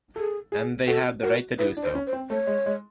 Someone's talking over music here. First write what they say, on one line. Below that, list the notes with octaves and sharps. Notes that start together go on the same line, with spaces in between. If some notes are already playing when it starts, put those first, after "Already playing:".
And they have the right to do so.
G#4 A4
G#4
F#4 A4
F#4 A#4
E4 B4
D4
C5
C#4
C5
C4
A3 C#5
G#3
G#3